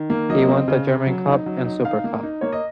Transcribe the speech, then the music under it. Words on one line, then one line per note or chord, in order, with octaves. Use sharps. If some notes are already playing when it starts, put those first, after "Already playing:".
He won the German Cup and Super Cup.
Already playing: D#3
A#3
F#3 D#5
C4
C#3
C#3
F#3
D#4
F#3
D#4
D#4 F5
A#3
D#4
A#3 C#5
D#5